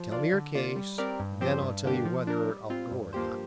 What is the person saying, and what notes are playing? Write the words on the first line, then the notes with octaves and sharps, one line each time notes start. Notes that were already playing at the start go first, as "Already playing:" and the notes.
Tell me your case, and then I'll tell you whether I'll go or not.
Already playing: F3
D4 F4 D5
D3
A#3 F4 D5
G3
C4 G4 A#4 D5
G2
F3 C4 G4 C5
G2
D3 A#3 D4 G4
F3
D4 A#4
G3
C4 F4
G2
F3 A#3 G4 C5